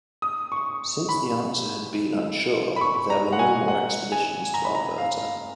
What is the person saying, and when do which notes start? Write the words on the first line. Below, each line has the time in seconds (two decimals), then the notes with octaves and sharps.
Since the answer had been unsure, there were no more expeditions to Alberta.
0.22 D#6
0.52 C#6
1.09 B5
2.76 B5
2.81 C#6
3.10 A#5
3.33 F#5
3.39 G#5
3.68 F#5
4.12 G#5
4.54 A#5
4.65 B5
4.75 A#5
4.98 F5